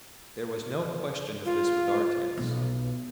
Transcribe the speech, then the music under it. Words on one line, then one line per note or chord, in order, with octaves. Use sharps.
There was no question of this with our tents.
F4
B1